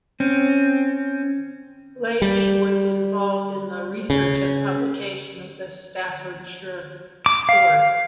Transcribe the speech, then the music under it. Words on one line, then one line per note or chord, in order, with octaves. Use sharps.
Leahy was involved in the research and publication of the Staffordshire Hoard.
C4 C#4
G3
C#3
D6
F5